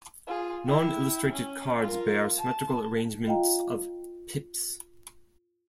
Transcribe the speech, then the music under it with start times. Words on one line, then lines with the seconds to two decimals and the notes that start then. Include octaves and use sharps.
Non-illustrated cards bear symmetrical arrangements of pips.
0.27 F4 G#4
0.66 E4 G5
1.32 C#4
1.81 F4 A#4
2.38 A5
3.26 F4 D#5 F5 G5 A#5